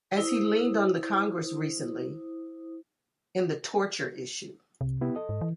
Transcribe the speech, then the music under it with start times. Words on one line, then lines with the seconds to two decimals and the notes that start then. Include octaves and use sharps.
As he leaned on the Congress recently-- in the-- torture issue.
0.17 E4 C5 D#6
4.81 C2 C3
5.01 B3 E4 G4
5.16 A4 D#5
5.29 G#2
5.41 E3